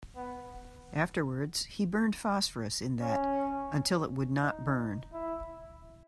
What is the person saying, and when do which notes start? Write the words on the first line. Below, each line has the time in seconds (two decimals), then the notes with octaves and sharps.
Afterwards, he burned phosphorus in that, until it would not burn.
0.16 B3
3.00 C#4
4.42 D#4
5.13 E4